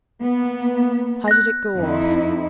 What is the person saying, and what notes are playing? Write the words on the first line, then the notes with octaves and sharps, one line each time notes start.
"How did it go off?"
A#3 B3
F#6 A#6
F2 D#4 E4